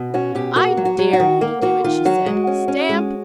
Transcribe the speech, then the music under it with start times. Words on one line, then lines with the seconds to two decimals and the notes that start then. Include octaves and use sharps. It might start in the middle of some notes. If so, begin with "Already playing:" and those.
I dare you to do it,' she said. Stamp!
Already playing: B2
0.14 C#4 F#4
0.35 B2 G4
0.56 A#3 F#4
0.77 F#3
0.85 F#4
0.99 F#3
1.13 F#4
1.20 D#3
1.41 A#3
1.62 A#3 F#4
1.84 D#3 F4
2.05 F#3 F#4
2.26 G#3
2.47 C#4
2.68 C#4
2.89 G#3